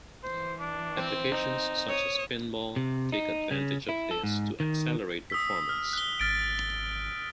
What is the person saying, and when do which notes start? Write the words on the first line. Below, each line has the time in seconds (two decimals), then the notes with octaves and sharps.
Applications such as Pinball take advantage of this to accelerate performance.
0.23 E3 C5
0.59 D4
0.97 C4
1.33 D#4
1.88 C#5 D#6
2.76 C3
3.12 D#4
3.51 C#3
3.89 E4
4.11 A4
4.24 G#2
4.60 D#3
5.30 D#6 E6 B6
5.69 F6
5.93 F#6 G7
6.20 G#1 F6 A6 D7